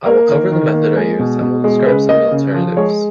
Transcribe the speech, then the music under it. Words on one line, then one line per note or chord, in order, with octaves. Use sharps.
I will cover the method I use and will describe some alternatives.
A#3 A#4
D#3
D#3
A#3
G#3
B2
B2
G#3
C#3 B4
A#3 D#5
C#3
F3
G#3 C#5